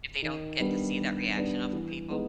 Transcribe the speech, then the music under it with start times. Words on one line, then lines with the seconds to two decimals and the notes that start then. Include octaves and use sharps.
If they don't get to see that reaction off of people,
0.22 D#3
0.60 G3 B3 D4
0.98 D#3
1.35 G3 B3 D4
1.73 E3
2.10 G#3 B3 D#4